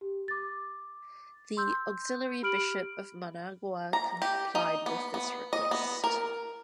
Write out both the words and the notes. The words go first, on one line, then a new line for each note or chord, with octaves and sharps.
The auxiliary Bishop of Managua complied with this request.
G4
D6 A6
C6 E6 G6
G4 B5 F6 D7 F#7
A#5
G4
D#4
B3
B3
D#5
B3
A#4